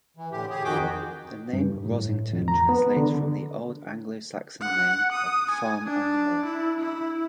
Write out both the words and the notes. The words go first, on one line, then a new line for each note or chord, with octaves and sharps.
The name Rossington translates from the old Anglo-Saxon name of 'Farm on the Moor'.
E3
A2 D3 G4
G4 G#4
F2 D#3 F#4 G#4 G5 D6
G2
A2
F2
A#5
B3
D3
F#5
D#6
G#5
D4
E4
E4